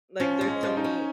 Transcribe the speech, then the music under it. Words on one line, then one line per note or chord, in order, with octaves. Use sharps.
Like there's so many
F3 C#4
G#3
C#4
F3
D#4
C#4